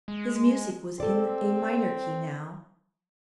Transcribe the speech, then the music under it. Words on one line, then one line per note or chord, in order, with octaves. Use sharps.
His music was in a minor key now.
G#3
C4 A4 D5